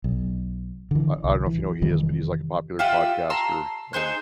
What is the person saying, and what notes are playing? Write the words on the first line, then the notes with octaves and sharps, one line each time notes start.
I I don't know if you know who he is, but he's, like, a popular podcaster, and
B1
D3 E3
C2
E3
F1 D#3 E3 G3
F4 G4 E5 F#5
A5 A#5 C6 E6
D#4 G#4 C5 F#6